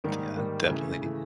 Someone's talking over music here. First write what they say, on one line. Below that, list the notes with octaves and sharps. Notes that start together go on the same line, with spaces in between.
Yeah, definitely.
G#2 D#3 G3 A#3
G#2 D#3 G3 A#3
C#3 E3 A3
C#3 E3 A3